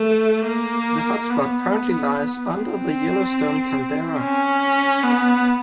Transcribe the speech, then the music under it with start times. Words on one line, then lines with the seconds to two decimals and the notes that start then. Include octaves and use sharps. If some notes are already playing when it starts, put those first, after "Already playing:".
The hotspot currently lies under the Yellowstone Caldera.
Already playing: A3
0.47 A#3
1.30 B3
2.54 C4
4.20 C#4
5.03 B3